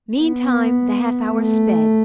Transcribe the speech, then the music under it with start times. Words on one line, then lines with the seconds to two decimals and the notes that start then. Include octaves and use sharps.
Meantime, the half-hour sped.
0.18 B3
1.30 A3